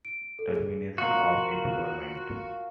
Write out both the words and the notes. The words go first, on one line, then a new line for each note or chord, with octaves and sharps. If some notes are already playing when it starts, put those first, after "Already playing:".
Termination of employment.
D7
A4
G#4
F4 F#4 A#4